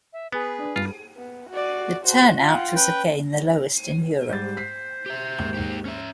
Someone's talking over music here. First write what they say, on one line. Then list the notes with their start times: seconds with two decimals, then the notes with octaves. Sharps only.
The turnout was again the lowest in Europe.
0.12 E5
0.32 B3 G#4 B4
0.59 D4
0.76 G2 F4
1.17 B3
1.50 F#4 D5
2.04 F#4 C5
2.39 F4 F#5 G5
2.76 C#4 B4 G5
4.29 G#2 G3 C5 A6
4.57 B6 C7
5.06 G4 E5
5.39 D#2 G#2
5.54 D#4 G4
5.85 C#4 E5